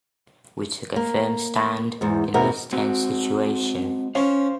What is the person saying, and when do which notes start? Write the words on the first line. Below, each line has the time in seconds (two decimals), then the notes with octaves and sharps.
We took a firm stand in this tense situation.
0.96 A#3
2.01 E2 G#2
2.34 D#2 B2 C4 F#4 A#4 E5
2.73 G#3 C4 F#4
4.15 C#4 C5 F5